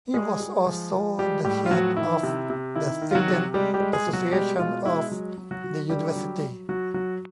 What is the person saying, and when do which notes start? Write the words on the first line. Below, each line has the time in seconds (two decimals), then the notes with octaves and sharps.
He was also the head of the student association of the university.
0.14 G3 G#3 G#4
0.40 G#3
0.66 F3
0.93 F3
1.19 G3 G#3 G4
1.44 A2 G3 G4
1.66 F4
1.71 F3 F#3 F#4
1.97 D#3 E4
2.23 C3
2.50 C3
2.76 D#3 E4
3.01 D#3
3.11 F4
3.15 F#3 F#4
3.28 C3
3.54 G3 G#3 G4
3.74 G3 G4
3.80 G#3
3.93 G#3 G#4
4.06 B2
4.13 F#3 F#4
4.32 G3 G#3 G4
4.59 B2 F4
4.85 G#3 E4
5.11 F#3
5.38 F#3
5.51 F#3 F#4
5.64 F#3
5.90 D3 G3 G4
6.16 F#3
6.42 F#3
6.69 F#3 F#4
6.94 F#3 F#4